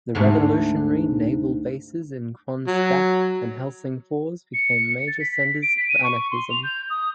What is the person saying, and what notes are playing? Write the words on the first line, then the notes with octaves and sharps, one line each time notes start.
The revolutionary naval bases in Kronstadt and Helsingfors became major centers of anarchism.
D2 G#2 A3
F#3
C#7
A6
B6
B6
D7
B6
D#7
C#6
C6
F7
G6
D#6